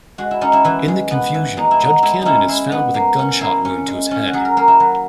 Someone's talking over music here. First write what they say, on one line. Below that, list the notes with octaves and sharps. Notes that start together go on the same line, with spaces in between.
In the confusion, Judge Cannon is found with a gunshot wound to his head.
G#3 F#4
E4
C#4 D#4
E4
E3 E4
G#3
B3
E3
G#3 D#4
E4
B3 D#4
G#3 E4
C#4 D#4 E4
G#3 E4
B3
A#3
C#4
A#3 E4
C#4
G#3
C#4
F#4
F#3 G#4
A#4
A#3 A#4
E4
F#3